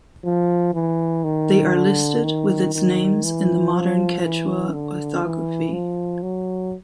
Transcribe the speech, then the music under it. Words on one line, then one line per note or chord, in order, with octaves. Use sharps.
They are listed with its names in the modern Quechua orthography.
F3
E3
D#3
D3
D#3
D#3
E3
F3
E3
D3
E3
F3
F#3